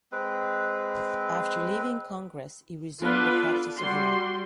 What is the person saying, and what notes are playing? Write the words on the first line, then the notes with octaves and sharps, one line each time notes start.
After leaving Congress he resumed the practice of law.
G#3 C4 B4
B3 D4 F4 A4 B4
G3 F#4 C6